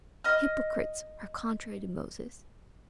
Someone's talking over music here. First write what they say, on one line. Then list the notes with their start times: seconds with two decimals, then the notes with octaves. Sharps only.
Hypocrites are contrary to Moses.
0.24 D#5 F6